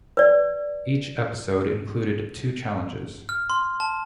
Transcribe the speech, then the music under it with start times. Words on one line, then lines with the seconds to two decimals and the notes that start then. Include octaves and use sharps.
Each episode included two challenges.
0.17 B4 D5
3.29 F6
3.50 C6
3.80 A5